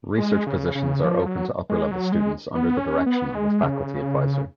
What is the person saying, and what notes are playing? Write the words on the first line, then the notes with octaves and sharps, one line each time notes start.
Research positions are open to upper-level students under the direction of a faculty adviser.
G#3
C#3
C#3
F3
F#3
G#3
F#3
G#3
B3
C#4
B3
G#3
C#3